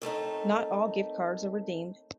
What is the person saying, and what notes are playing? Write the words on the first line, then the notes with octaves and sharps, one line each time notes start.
Not all gift cards are redeemed.
D#2 A3 C4 D#4